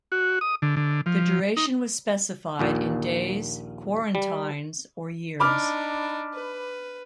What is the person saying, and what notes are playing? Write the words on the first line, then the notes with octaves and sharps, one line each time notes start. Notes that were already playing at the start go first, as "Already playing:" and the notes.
The duration was specified in days, quarantines, or years.
F#4
D#6
D3
D3
F3
D#4
A#1 D#2 A#2
G3
D4 D#4 B5 D6 F6
B4